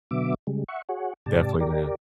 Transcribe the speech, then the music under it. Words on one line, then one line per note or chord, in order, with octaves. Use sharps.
Definitely, man.
B2 D3 F#3 B3 E5 D6
C#3 G3 G#3
E5 F#5 C#6
F#4 G#4 C#5 F#5
G#2 C3 G4 D5 A5
G4 A#4 D5